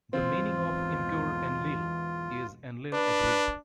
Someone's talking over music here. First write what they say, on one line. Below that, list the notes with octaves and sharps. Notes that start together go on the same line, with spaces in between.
The meaning of Imgur-Enlil is "Enlil agreed".
B1 E2 G#2 E3 C4 F4
D4 B4